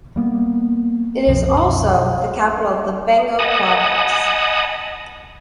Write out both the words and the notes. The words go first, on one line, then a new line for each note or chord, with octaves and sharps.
It is also the capital of the Bengo province.
G3 A#3 B3
C2 F#2 B2 F3
D#5 F#5 G#5 A5 B5 D#6